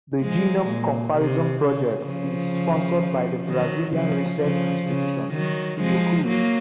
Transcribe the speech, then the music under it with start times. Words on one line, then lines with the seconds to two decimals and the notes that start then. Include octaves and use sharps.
The Genome Comparison project is sponsored by the Brazilian research institution Fiocruz.
0.21 F3 G#3
0.68 A#2
1.15 C3
1.62 C#3
2.08 C#3 F3
3.47 D#3 F#3
3.94 C#3 F3
4.41 C#3 F3
4.87 C#3
5.34 D#3 F#3
5.81 F3 G#3
6.27 F#3 A#3